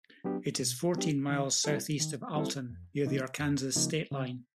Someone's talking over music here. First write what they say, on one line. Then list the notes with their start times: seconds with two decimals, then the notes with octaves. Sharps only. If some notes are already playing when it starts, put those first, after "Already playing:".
It is fourteen miles southeast of Alton, near the Arkansas state line.
0.24 F#3 B3 D4 G4
0.60 B2
0.94 F#3 B3 D4 G4
1.30 D#3
1.65 G3 C4 E4 A4
2.00 D#3
2.35 G3 C4 E4 A4
2.70 F2
3.06 C#3 F3 A#3 D#4
3.41 F2
3.76 C#3 F3 A#3 D#4
4.11 C#3